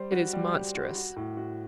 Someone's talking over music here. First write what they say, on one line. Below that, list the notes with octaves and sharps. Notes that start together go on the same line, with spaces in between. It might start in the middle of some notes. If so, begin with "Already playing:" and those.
It is monstrous.
Already playing: G3 C5
F#4
G3
G3
F#4
F#4
A2
F#4